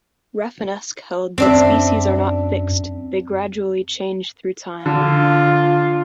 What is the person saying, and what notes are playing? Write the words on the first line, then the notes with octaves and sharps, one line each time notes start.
Rafinesque held that species are not fixed, they gradually change through time.
F#2 C4 D4 E5
D3 F4